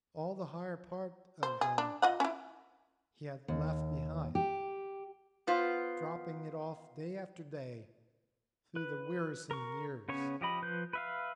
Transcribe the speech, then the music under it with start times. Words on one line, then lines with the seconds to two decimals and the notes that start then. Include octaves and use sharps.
All the higher part of him he had left behind, dropping it off day after day through the wearisome years.
1.43 C5
1.61 G#4
1.78 D4
2.02 F4 D#5 F#5
2.20 C#4 E4
3.48 D#2
4.35 G4
5.47 B3 F4 C5
8.76 B4
9.51 A#4 C#6
10.09 C#3 B3 C#4 C#5 C#6
10.41 F3 G4 D#5 B5
10.62 F3 B4 G6
10.93 B4 E5 F5